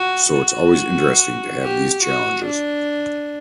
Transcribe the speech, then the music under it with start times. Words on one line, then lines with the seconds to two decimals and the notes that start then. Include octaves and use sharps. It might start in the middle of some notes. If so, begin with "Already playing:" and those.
So it’s always interesting to have these challenges!
Already playing: F#4
0.32 F#4
1.61 G4
2.04 F#4
2.47 D4